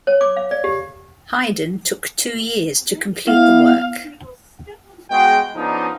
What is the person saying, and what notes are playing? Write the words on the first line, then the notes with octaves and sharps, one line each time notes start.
Haydn took two years to complete the work.
C#5
D6
F5
D5
G4
B3 E4 F5
G#3 B3 F#4 G5
C#3 F3 B3 D4 D#4